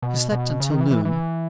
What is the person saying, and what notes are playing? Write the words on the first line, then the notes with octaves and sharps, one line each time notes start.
He slept until noon.
B2
B2
C#3
D#3
E3
E3
E3